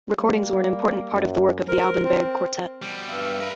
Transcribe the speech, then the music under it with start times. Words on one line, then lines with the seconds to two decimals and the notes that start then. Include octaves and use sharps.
Recordings were an important part of the work of the Alban Berg Quartet.
0.19 G3 A#3
1.13 F#2
1.68 A#4 C5
2.05 C4
2.83 B2 G3
3.09 G2 E5 F5
3.40 A#4 B4